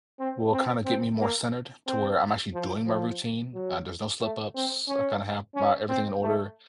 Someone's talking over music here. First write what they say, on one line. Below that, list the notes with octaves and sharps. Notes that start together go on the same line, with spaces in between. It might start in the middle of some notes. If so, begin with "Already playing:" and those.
will, kinda, get me more centered to where I'm actually doing my routine. Uh, there's no slip ups. I, kinda, have my everything in order,
C4
C4
C4
A#3
C4
F3
F3
F#3
A3
C4
C#4
C#4
C4
A3